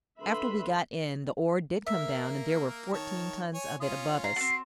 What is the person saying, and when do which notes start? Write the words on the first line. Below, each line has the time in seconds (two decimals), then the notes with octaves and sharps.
After we got in, the ore did come down and there were fourteen tons of it above us.
0.21 D3 B4 E5 B5 C6
1.87 A#3 A#4 E5
2.93 D#3 C#5 A5
3.54 C#5 G#5
3.80 C#4 F4 D#6
4.24 A#5 C7
4.36 A3 C4 F#4